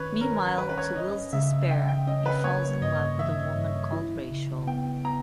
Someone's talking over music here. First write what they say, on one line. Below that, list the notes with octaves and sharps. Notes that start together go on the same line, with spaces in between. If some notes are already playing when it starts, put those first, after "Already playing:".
Meanwhile, to Will's despair, he falls in love with a woman called Rachel.
Already playing: D#3 C#4 B4 C#5
C#4 A#4
C#4 B4
B4
C#5
C#4 D#5
C#3 E5
C#3 G5
G5
C#4 D#5
B4
A#3 C#5
G2 D#5
E3 E5
G2
E4
C#3
B3 G5
B3 A#5